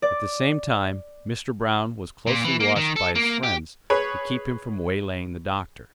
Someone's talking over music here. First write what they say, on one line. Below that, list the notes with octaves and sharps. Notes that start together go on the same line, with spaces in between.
At the same time Mr. Brown was closely watched by his friends to keep him from waylaying the doctor.
D5
A#2
E3
A#3
D#3
A4
A#3
G4
G#4 B4 C#5